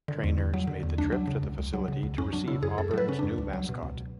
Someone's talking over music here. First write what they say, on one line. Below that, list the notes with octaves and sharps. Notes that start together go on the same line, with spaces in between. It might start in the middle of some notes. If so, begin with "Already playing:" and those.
Trainers made the trip to the facility to receive Auburn's new mascot.
D3
E2
E2
F#3
D3
E2
C#2 D4
F#3
C#3
C#2
C#2
F#3
C#3
C#2
F#2 C#4
F#3 D4
C#3 E4
F#2 G#4
F#2 A4
A4
F#3 B4
C#3 C#4
F#2 D4
C#2
F#3
B2
C#2